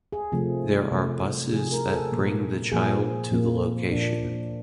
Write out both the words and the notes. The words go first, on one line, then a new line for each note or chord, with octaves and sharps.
There are buses that bring the child to the location.
G#4
C3 F3 A3
C3 F3 A3
C3 F3 A3 G#4
A#4
G#4
A4
A#2 F3 A#3
A#2 F3 A#3 G#4
A#2 F3 A#3
A#2 F3 A#3 D4